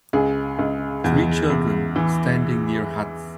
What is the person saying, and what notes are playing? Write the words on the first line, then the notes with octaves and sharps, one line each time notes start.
Three children standing near huts.
C#2 G#4
C#2
E2
E2
E3